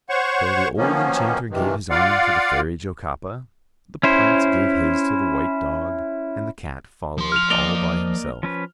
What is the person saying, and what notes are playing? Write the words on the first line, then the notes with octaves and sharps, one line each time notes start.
So the old enchanter gave his arm to the Fairy Jocapa, the Prince gave his to the white dog, and the cat followed all by himself.
C5 C#5 F#5 C#6
D#3 F3 F#3 A#3 B3 C#4
G2 C3 D#3 E3
F4 D5 F5 F#5
C#4 E4 C5
F3 C6
F6 F7
A#3 D5 D#5 F6 F7 G7
F3 C#4 B4